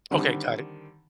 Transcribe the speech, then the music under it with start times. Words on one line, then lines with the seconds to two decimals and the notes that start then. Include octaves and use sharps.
Okay, got it.
0.11 D3 D#3 G3 C4 D4